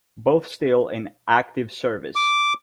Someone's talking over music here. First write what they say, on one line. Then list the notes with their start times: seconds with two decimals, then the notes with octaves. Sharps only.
Both still in active service.
2.16 D6